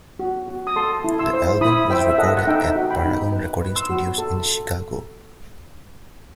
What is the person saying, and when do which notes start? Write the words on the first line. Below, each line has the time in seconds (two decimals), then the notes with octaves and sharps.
The album was recorded at Paragon Recording Studios in Chicago.
0.19 F#4
0.48 F#4
0.67 D#6
0.76 A4 A5 C6
1.04 E4
1.19 C6 E6
1.34 C5
1.61 E4 B5 D#6
1.90 C5 E5 G5
2.09 E5
2.18 A4 D#5 F#5
2.37 F#5
2.47 D#4 E5 G5
2.76 F#4
2.90 G5 B5
3.05 D#4
3.32 B4
3.61 B4
3.76 C6 E6
3.90 F#4
4.18 A4